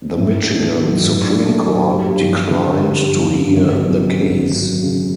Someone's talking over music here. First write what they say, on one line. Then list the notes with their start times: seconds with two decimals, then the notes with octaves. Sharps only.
The Michigan Supreme Court declined to hear the case.
0.18 A2
0.39 D4
0.60 A3
0.81 F#3
1.03 A2
1.24 D4
1.45 A3
1.66 F#3
1.87 G2
2.08 G2
2.29 F3
2.50 D3
2.71 G2
2.93 G2
3.14 F3
3.35 D3
3.56 G#1
3.77 F#3
3.98 C#3
4.19 F#2
4.40 G#1
4.61 F#3
4.83 C#3